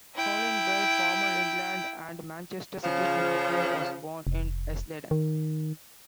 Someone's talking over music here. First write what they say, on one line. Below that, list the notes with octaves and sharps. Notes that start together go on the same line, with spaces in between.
Colin Bell, former England and Manchester City footballer, was born in Hesleden.
E4 G5
C#3 F3
F1
D#3